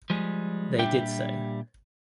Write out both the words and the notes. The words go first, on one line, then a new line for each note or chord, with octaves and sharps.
They did so.
F3 G3 G#3
A#2 G3 D4 G4 E5 G5